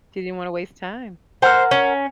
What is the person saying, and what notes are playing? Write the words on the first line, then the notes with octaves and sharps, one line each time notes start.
She didn't wanna waste time.
A#4 C5 F#5
C#4